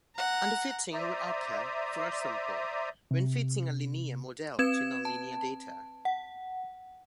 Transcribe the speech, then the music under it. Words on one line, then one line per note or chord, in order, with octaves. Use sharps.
Underfitting would occur, for example, when fitting a linear model to non-linear data.
F#5 A#5
C5 D5 E5 A#5 D#6
C3
C4 B4 G#6 E7
A5
F#5